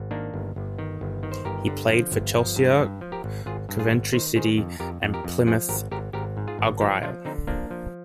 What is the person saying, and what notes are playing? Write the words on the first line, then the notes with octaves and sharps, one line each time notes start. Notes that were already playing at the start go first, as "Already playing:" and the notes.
He played for Chelsea, Coventry City and Plymouth Argyle.
Already playing: G#1
D#3 A#3 D4
G1
G1
D#3
G1
D#3
C5
G1 G4 A#4
D3
F3
G1
F3
G2
G2
F3
G4 A#4
G#1
G#1 F4 G#4
G2
F4 G#4
G#1
D#3 C5
D#3 G#4 C5
F2
F2 G4 A#4
F2
G4 A#4
F2
F3 F4 G#4
G#1 G4 A#4
G#1 G4 A#4
G#1 G4 A#4
G#2
F4 G#4
G#1
F3 D#4 G4
F3 D4 F4
D3 C4 D#4
F3 A#3 D4
F3